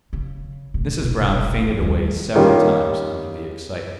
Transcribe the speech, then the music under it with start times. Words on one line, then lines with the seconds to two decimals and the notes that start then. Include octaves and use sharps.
Mrs. Brown fainted away several times under the excitement.
0.13 C#3
0.74 A2 C3
1.01 E1 A#1
1.68 F3
1.80 D#2 G3
2.35 D#3 G3 A#3 C#4 F4